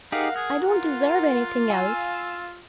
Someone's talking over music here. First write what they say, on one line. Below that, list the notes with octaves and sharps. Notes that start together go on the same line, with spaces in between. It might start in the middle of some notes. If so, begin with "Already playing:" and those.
'I don't deserve anything else.
D#4 G4 G#4 A#4 F5 F#5
G#4 F6
F4
F5 G#5 E6